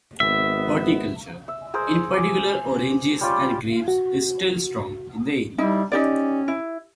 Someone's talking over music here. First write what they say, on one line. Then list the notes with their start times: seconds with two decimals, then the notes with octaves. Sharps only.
Horticulture, in particular oranges and grapes is still strong in the area.
0.20 G#1 B3 E5
1.48 E5
1.74 G#4 A#4 C5
2.14 G#5 D6
3.21 G3 C#4 F4 D5
3.88 F#4
5.58 G3 D#4 E4
5.92 C#4 D#4 G4 D5
6.48 E4